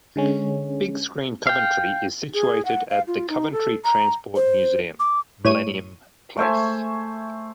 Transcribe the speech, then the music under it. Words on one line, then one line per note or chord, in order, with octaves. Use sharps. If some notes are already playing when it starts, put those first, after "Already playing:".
Big Screen Coventry is situated at the Coventry Transport Museum, Millennium Place.
D3 G#3 C#4
F5 G5
G#4
F#5
F5
F4
D#4
A4
A#5
C5
D6
A2 C#5 D#7
A3 C5 E5 G#5